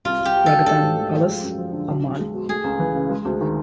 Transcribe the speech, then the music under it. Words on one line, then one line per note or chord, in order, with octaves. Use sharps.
Raghadan Palace, Amman.
C2 F4
C2
G4
G3
B2 A4
D4 A4
G#2
A3
F3
G#3
F#2
F3
D3
B1
B1
G#3
B2
A3 G#4
C#2
E3
C#3
G#3
D2
D#3